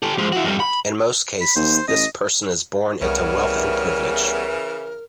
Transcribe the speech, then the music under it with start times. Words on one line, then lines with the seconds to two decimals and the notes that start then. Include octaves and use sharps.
In most cases, this person is born into wealth and privilege.
0.03 G4 A4
0.18 F3 G#3
0.32 E4 F#4
0.44 F2 G3
0.60 B5
1.41 B5
1.56 D#2 C5
1.88 A1 D#5
3.02 C2 C#3 E3 G3 B3 A#4 C#5